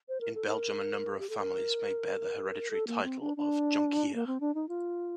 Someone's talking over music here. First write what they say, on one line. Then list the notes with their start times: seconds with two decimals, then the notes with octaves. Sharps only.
In Belgium, a number of families may bear the hereditary title of "Jonkheer".
0.09 C5
0.21 A#4
0.35 A4
0.47 A#4
1.19 G4
1.29 A4
1.39 A#4
2.70 A4
2.87 A#3
3.03 C4
3.21 D4
3.37 D4
4.14 A#3
4.27 C4
4.40 D4
4.54 D#4
4.69 F4